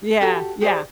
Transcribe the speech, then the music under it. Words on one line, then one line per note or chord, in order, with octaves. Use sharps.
Yeah, yeah.
F#4 G4 A4
G4 G#4 C5 D5